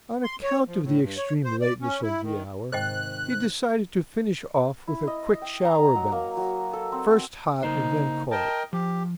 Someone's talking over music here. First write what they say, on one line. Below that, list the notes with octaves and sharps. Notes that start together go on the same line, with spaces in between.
On account of the extreme lateness of the hour, he decided to finish off with a quick shower-bath, first hot and then cold.
C6
C#5
F3
A2
G2
C#5
C5
D5
C#4
E4
D#3
G#2 C3 D#3 C5 D#5 G5 F#6
E4
D#5
G5
A#5
F#3
A#3
F#3
A4
C4
F#4
C#3 A#3 D#4 C5
A#4 D#5 G5 A5
F3 G4